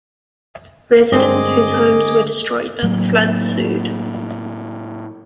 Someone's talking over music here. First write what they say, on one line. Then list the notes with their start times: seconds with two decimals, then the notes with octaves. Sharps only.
Residents whose homes were destroyed by the flood sued.
1.12 D2 G2 D3 G#3 C4 G#4 D#5 D6
2.83 A2 F#3 A#3